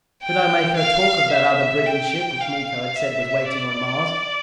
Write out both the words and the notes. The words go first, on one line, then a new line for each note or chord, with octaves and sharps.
Could I make her talk of that other brigand ship which Miko had said was waiting on Mars?
G5
F5
E5
G5
F5
E5
D5